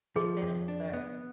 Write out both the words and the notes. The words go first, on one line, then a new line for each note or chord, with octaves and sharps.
They finished third.
F3 G#4
F2
D4
B3